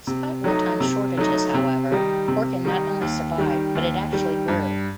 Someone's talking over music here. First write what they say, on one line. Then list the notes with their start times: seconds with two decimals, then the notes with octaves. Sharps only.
Despite wartime shortages, however, Orkin not only survived, but it actually grew.
0.07 C3
0.44 F#3 A3 D#4
0.80 C3
1.18 F#3 A3 D#4
1.54 C3
1.91 D#3 G3 D#4
2.28 C3
2.65 D#3 G3 D#4
3.01 D#2
3.38 D#3 G3
3.75 D#2
4.12 D#3 G3
4.48 G2